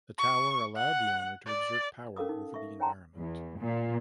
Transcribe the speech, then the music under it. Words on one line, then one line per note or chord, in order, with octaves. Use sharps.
The tower allowed the owner to exert power over the environment.
C#6
F#5
D5
C#4 A4 A#4 F5 D6 D#6
D#4
E5 C#6
C#5 F#5 G5 A5 A#5 C6
E2
A#2